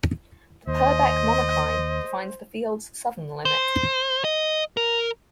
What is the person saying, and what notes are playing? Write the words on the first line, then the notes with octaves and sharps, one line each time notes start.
The Purbeck Monocline defines the field's southern limit.
D#2 C5 D#5
C5
D#5
A#4